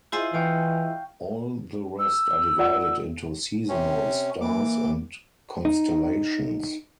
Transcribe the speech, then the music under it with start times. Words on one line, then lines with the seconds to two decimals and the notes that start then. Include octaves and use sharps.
All the rest are divided into seasonal stars and constellations.
0.12 E4 F4 G#4 C5 D#5 E5
0.34 E3 F5 G5 C#6
1.99 E6
2.59 F4 D5 F#5
3.69 C3 C#4
4.41 E3 A#3 D6
5.65 D#4